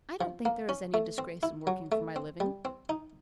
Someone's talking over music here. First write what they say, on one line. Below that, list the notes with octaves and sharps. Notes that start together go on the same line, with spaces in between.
I don't think there is any disgrace in working for my living.
F3
A#3
C#4
A3
C4
E4
F#3
A3
C4
G3
C4
D#4